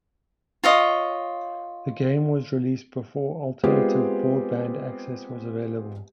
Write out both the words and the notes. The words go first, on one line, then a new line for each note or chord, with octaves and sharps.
The game was released before alternative broadband access was available.
F4 C#5 D#5
G#3 B3 C4 F4 G4 G#4